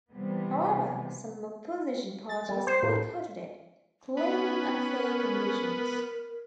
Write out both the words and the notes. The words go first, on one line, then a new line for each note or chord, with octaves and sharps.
However, some opposition parties boycotted it, claiming unfair conditions.
C3 E3 G3 B3
A6
G3
C5
A2
B3 C#4 D#4
A#4